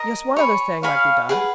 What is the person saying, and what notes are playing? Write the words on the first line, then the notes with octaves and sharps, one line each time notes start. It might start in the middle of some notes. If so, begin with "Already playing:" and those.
Yes, one other thing might be done.
Already playing: A#4 D#5 A#5
C#5 G#5 B5
C#5 F5 G#5 B5
G#4 B4 F#5